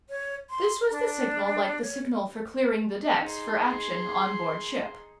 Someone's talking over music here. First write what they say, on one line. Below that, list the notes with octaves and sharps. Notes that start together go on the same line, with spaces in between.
This was the signal like the signal for clearing the decks for action on board ship.
C#5
C6
D4
C#5
D#4 G#4 C6